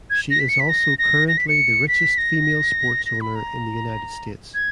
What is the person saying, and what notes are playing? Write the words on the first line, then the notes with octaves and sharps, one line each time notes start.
She is also currently the richest female sports owner in the United States.
G#6
A#6
B6
C#7
B6
A#6
A#6
A#6
B6
C#7
B6
A#6
A#6
B5
A#5
G#6